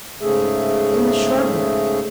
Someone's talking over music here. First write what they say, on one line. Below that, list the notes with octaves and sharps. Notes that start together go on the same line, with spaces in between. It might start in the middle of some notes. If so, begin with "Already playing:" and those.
"In the shrubbery."
G#2 C#3 A3 G#4 E5